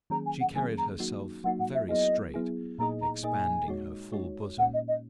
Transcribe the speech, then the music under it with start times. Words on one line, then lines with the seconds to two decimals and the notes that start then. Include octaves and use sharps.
She carried herself very straight, expanding her full bosom.
0.10 D#3 F#3 A#3 C#4 G#4 A#5
0.25 G#5
0.40 F#5
0.54 D#3 F#3 A#3 C#4 G#4 G#5
0.77 A#5
0.99 F#3 A#3 D#4 F#4
1.44 F#3 A#3 D#4 F#4 F#5
1.59 F#5
1.73 E5
1.88 F#3 B3 E4 G#4 D#5
2.34 F#3 B3 E4 G#4
2.78 A#2 A#3 D#4 G#4 D#5 A#5
3.01 A#5
3.23 A#2 A#3 D#4 G#4 D#5 G#5
3.68 G#3 D#4 F#4 C#5
4.12 G#3 D#4 F#4 C#5
4.58 A#2 A#3 C#4 F#5
4.73 D#5
4.87 D#5